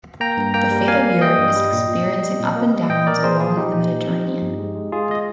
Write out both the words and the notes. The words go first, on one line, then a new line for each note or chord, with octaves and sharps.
The fate of Europe is experiencing ups and downs along with the Mediterranean.
A#3 G5 A#5
G2
A#3 G5 A#5
G3
A#3 F5 G#5
A#3
G3 D#5 G5
G2
G3
A#2
A#2
G3
G3
A#2
A#3
G3
A#2 D#5 G5
A#2 A#4 D5
A#2 G#4 C5
A#2 F4 G#4
F3 D#4 G4
A#2
A#2
F3
F3
G2
G#3
G#3
G#3 F4 G#4
D#5